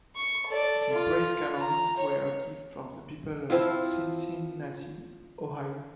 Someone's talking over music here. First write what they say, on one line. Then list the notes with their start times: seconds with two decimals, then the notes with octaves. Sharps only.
The brass cannons were a gift from the people of Cincinnati, Ohio.
0.16 C#6
0.47 A4 D5
0.92 F4
1.61 A#5
1.97 C#5
3.50 F3 C4 E4 F4